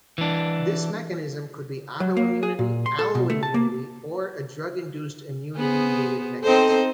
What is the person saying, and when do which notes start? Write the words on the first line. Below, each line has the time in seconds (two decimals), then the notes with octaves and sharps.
This mechanism could be autoimmunity, alloimmunity or a drug-induced immune-mediated mechanism.
0.18 E3 D4
2.00 F#3
2.17 A#3
2.43 G#4
2.59 A#2
2.86 C6
2.99 A4
3.15 B2
3.30 A3
3.43 A5
3.54 A#3
5.56 B3 G#4 C5
6.44 C4 D#4 A4 C5